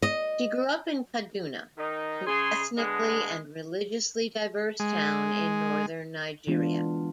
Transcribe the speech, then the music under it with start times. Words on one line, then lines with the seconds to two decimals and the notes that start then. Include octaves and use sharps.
She grew up in Kaduna, an ethnically and religiously diverse town in northern Nigeria.
0.02 D#5
1.78 D#3 D#4
2.27 C#3 G#4 C6
2.77 D3 G#3 B3
4.80 G#3
6.47 E3 G#3 B3 D4 F4